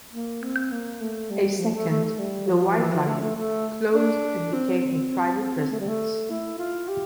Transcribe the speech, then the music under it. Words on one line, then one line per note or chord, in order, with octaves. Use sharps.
A second, the White Lion, closed and became a private residence.
A#3
C4
A#3
A3
G3
F3
A3
A3
A3
G3
F3
E3
F3
A3
A3
A3
D4
C4
A3
G3
A3
E4
F4
G4